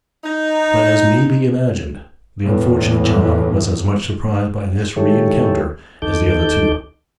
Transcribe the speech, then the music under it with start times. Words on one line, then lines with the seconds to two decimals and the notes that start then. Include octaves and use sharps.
But, as may be imagined, the unfortunate John was as much surprised by this rencounter as the other two.
0.23 D#4
2.43 E2 A2 E3
4.96 D#3 G#3 E4 G4 A4 C#5
6.02 D#2 D#4 A4 D6 G6